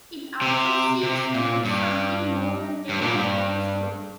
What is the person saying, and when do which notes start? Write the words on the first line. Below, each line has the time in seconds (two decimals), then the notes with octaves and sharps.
It also seeks to do something more than tell a crime story.
0.41 C3
1.03 C3
1.34 A#2
1.65 G2
2.89 G2
3.02 A#2
3.16 G2